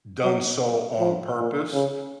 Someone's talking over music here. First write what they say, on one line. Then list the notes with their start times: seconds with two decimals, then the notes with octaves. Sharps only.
done so on purpose.
0.24 F#3
0.99 F3
1.36 A#2
1.73 C#3